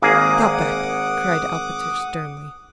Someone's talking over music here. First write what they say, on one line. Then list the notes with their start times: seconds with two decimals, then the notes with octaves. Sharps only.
"Stop that!" cried Alpatych sternly.
0.02 G#1 A#3 G#4 F#5 D6 D#6